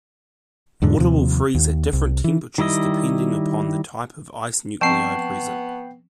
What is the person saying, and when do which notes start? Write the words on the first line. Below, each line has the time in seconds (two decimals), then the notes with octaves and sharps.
Water will freeze at different temperatures depending upon the type of ice nuclei present.
0.82 E2 G#2 D3
0.99 D#2 C3 F3
1.55 D#2
1.93 C2
2.24 E3
2.58 D#3 G3 E4 D#5
4.81 F3 B3 C4 G5 A5 C#6 C7 E7